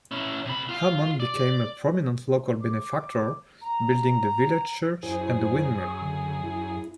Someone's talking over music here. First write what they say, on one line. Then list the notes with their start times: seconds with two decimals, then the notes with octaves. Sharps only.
Hammond became a prominent local benefactor, building the village church and the windmill.
0.11 C#4 E4
0.45 C3 B5
0.69 F4 F5
1.20 D5
2.61 D6
3.62 A#5
5.03 F#2 E4 G#4 C5
5.75 C#6 D#6
6.01 D3
6.44 E4